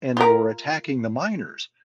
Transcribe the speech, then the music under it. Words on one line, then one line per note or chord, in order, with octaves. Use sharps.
and they were attacking the miners.
F4 A#4